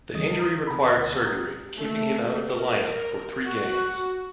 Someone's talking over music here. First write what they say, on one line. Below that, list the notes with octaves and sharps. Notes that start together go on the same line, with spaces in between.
The injury required surgery, keeping him out of the lineup for three games.
D#2 E3 G3 D#5 D#6
A#5 D#6
C3 A#5 B5
D2 F#5 A6
G4 A#5 D#6
A3
A#4
F#4